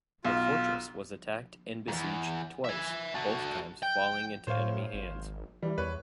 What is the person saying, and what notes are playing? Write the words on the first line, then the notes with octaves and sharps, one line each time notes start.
The fortress was attacked and besieged twice, both times falling into enemy hands.
B1 F4
E2 G#2
E5 G#5
F#4 A4
G5
A2 C5 C#5 F5
G#1
E3 G3
E2 B4 C#5